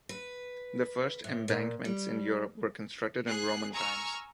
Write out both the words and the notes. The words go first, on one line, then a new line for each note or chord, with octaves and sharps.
The first embankments in Europe were constructed in Roman times.
B4
A2
A#2
G3
G#4 F#6 C7
G#5 A#5 C#6 E6 F6